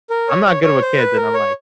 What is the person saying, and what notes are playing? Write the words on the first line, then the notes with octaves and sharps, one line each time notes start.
I'm not good with kids," and I'm like
A#4
C#5
C#5
C#5
C5
B4
A#4
C#5